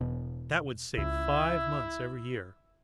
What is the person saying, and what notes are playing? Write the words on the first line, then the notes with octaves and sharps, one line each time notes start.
That would save five months every year.
E1 B2
C#2 E4